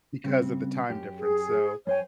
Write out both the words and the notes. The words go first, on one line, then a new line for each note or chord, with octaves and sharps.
because of the time difference, so,
C#3 G3 C4
F#2 G4
G#4
F#2 C5 C#5 G5 G#5